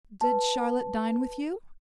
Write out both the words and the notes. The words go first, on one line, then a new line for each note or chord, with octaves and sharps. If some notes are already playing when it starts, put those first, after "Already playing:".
"Did Charlotte dine with you?"
B4 A5